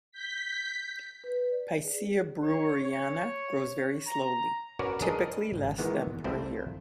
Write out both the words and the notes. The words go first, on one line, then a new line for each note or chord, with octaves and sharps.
"Picea breweriana" grows very slowly, typically less than per year.
G6 B6
B4
D5
G#4
C#5
C#5
A#5
C#4 F#4 A#4 B4 C#5 D5
D4 G#4 A#4 B4 D#5
G#1
A#2 D#3 E3 G#3 B3
C2 A3 C4 E4 F4 C5